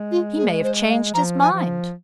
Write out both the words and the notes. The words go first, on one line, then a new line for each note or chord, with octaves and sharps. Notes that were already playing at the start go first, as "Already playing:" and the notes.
"He may have changed his mind."
Already playing: G#3
F4
G#4
C5
F5
F3 A#5
G#5
F3